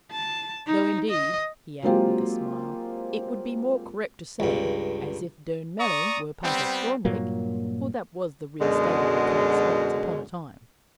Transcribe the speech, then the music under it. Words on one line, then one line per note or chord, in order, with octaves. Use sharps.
"Though, indeed," he added, with a smile, "it would be more correct to say, 'as if Durnmelling were a part of Thornwick'--for that was the real state of the case once upon a time."
A5
D#4
D#5
F#3 G#3 A#3 C4 F4 G4
C#2 G2
D5 A#5 C#6 D#6
G3 B3 C4
G2 A#2 F#3 A#3
F#2 B2 D3 G#3